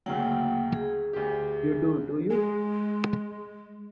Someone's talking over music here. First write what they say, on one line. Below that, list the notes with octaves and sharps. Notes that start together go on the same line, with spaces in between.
You do, do you?
D2 C#3 F#3 A#3 F#5 G5
G#4
D2 G4
G#3 G#4